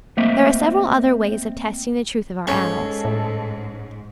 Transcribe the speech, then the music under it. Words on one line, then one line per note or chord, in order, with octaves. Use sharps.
There are several other ways of testing the truth of our annals.
A3 A#3 C4 D#5 E5
G#2 C#4 A4
A2